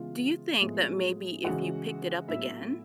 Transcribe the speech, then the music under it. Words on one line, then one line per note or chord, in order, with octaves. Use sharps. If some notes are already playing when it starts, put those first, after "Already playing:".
do you think that maybe if you picked it up again,
Already playing: C#3 E3 G#3 B3 F4
A2 F3 G#3 B3
C#3 E3 G#3 F#4 F#5
A2 F#3 B3 E4 E5